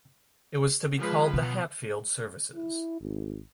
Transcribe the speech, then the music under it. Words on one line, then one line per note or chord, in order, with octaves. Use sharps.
It was to be called the Hatfield services.
F3 G#3 B4
B2 B3
E4
G#1